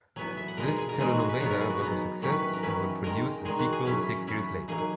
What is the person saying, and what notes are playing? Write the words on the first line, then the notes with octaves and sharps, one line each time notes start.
This telenovela was a success and would produce a sequel six years later.
F#3 B3 E4 G#5
G#5
E5
F#5
B2 G#3 D#4 A#4
G#4
G#4
A#4
B2 G#3 D#4 G#4
F#4
G#4
B4
F#3 B3 D#4 C#5
A#4
G#4
F#4
F#3 B3 D#4
D#3 F#3 C#4 E4 C#5
B4
B4
A#4
D#3 F#3 C#4 E4 B4
D#3 G#3 D#4 A#4
D#3 G#3 D#4 G#4
F#4
G#4
F#3 C#4 E4
F#3 C#4 E4
F#3 A#3 D#4 G#4
G#4